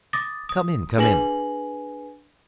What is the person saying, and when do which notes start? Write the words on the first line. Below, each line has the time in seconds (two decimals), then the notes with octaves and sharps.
Come in, come in.
0.13 D6 D#6 A6 A#6
0.49 D#6
0.98 D4 G#4 B4 G#5 A#6 F#7